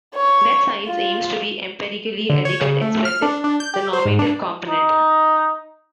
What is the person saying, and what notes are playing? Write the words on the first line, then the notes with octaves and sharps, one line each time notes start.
That science aims to be empirically adequate expresses the normative component.
C#5
F4
D3
C#5
C#3
A3
F6
D4
D4
G6
G4
C5
G#2
D4
D#4